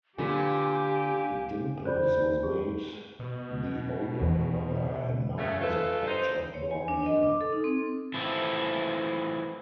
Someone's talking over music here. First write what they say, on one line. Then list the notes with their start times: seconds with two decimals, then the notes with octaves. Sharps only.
Dimples was made the older brother and now has a patch of Brown Hair.
0.18 A#2 D3 G4 B4 G#5
1.86 C5 D5 B5 G6
2.43 G4 G#4
3.19 B2
4.21 E2
5.38 C#3 A3
5.60 G#3 A3 F4 A4 B4
6.07 D#4 C5
6.54 C#5
6.71 G#5
6.88 D4
7.06 D#5
7.23 D6
7.41 A4
7.53 D#4
7.64 C4
8.14 E3 F3 A3 E4